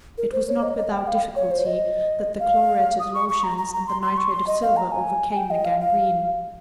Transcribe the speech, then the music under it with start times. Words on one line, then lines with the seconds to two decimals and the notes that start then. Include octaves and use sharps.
It was not without difficulty that the chloruretted lotions and the nitrate of silver overcame the gangrene.
0.18 A#4
0.32 C5
0.48 C#5
0.63 D#5
0.77 D#5
0.92 G5
1.07 F5
1.36 C#5
1.51 C5
1.66 D#5
2.40 F5
2.99 D#6
3.14 C#6
3.29 C#6
3.43 A#5
3.58 A#5
3.73 A#5
3.88 C6
4.02 C6
4.17 C#6
4.32 C6
4.47 D#5
4.62 F5
4.77 A#5
4.92 G#5
5.36 G5
5.51 D#5
5.65 F5
5.80 F5